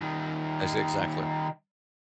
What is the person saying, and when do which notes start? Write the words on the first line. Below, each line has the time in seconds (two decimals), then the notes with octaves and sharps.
Ex exactly.
0.02 D#3 G3